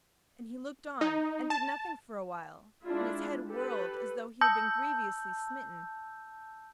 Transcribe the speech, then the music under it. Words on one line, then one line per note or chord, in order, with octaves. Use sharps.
And he looked on and did nothing for a while, and his head whirled as though he had been grievously smitten.
D#4
A5
G#3 D4 E4 F4
G4 A4 B4
A5 E6 G6